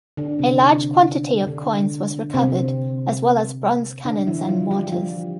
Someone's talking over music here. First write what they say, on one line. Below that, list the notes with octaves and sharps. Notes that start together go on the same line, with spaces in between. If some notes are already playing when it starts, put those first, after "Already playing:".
A large quantity of coins was recovered, as well as bronze cannons and mortars.
D3 D4
C3 C4
D3 D4
D3 D4
C3 C4
D3 D4
E3 E4
F3 F4
G3 G4
F3 F4